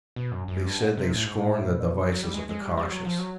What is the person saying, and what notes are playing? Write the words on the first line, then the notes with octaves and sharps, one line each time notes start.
They said they scorned the devices of the cautious.
B2
F#2
F#2
G2
G#2
C3
A2
G#2
A2
B2
A#2
B2
F3
F#3
G3
G#3
G#3
G3
G3
F#3
F3
F#3